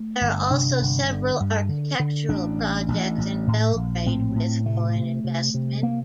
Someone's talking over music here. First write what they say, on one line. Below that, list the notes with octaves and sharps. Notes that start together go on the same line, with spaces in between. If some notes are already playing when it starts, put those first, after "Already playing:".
There are also several architectural projects in Belgrade with foreign investment.
Already playing: A3
G1
C3 D4
G1
D3
G2
D3
D3
A1 D4
A1
A1
A1
A2
A#1
A2 C4
A2
C3 A3
C3
C3
C3
A#3